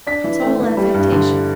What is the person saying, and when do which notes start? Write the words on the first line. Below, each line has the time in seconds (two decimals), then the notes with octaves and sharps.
It's all affectation.
0.07 D4 B6
0.24 E3
0.42 A3
0.60 E3
0.77 G3
0.94 G2
1.12 D3